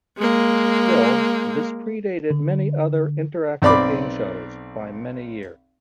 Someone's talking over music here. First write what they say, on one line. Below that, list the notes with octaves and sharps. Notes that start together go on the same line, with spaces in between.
Still, this pre-dated many other interactive game shows by many years.
G#3 A#3
D3
B1 C4 D5 B5 D6